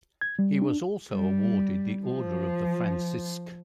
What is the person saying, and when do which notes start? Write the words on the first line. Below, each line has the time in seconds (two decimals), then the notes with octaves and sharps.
He was also awarded the Order of the Francisque.
0.21 G#6
0.39 G3
0.62 D4
1.13 G3
2.06 F3